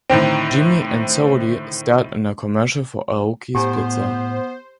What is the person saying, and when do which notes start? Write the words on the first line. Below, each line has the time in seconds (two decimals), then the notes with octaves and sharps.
Jimmy and Sody starred in a commercial for Aoki's Pizza.
0.10 A2 D3 D#3 C4
3.55 A2 B3 G4 C5 G#5 A#5